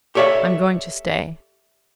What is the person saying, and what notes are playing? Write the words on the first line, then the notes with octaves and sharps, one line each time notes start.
"I'm going to stay."
G4 A4 C#5 D5 E5 F5